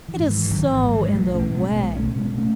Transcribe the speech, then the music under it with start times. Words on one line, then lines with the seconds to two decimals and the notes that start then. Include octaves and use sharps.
It is so in the way!
0.08 E3
0.19 G#2
0.30 E3
0.43 E3
0.50 G#1 D#3 F#3
0.71 E3
0.82 G#2
0.88 F#3
0.92 E3
1.05 G#3
1.13 B1 F#3 A3
1.34 A3 C#4
1.44 B2
1.54 G#3 B3
1.75 B1 G#3 B3
1.96 A3 C#4
2.07 B2
2.17 G#3 B3
2.38 A3 C#4